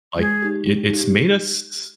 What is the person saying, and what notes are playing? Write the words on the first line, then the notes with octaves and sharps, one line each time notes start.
like, it it's made us s
G#3 G#4
D#4 G4
G#3
D#4 G4